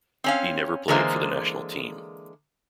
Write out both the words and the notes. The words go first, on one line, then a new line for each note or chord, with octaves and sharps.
He never played for the national team.
C4 C#4 F5
D3 E3 G#3 A#3 C5